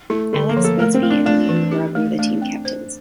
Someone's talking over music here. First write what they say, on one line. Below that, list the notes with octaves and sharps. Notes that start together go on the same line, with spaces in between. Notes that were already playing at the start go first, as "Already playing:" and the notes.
Alex Buzbee and Liam Grubb were the team captains.
A3 E4
D3 A3
A#3
F3
A4
A3 A#4
C4
A3
D4
A3 D4
E3
G4
A3
A3 D4
C4
C5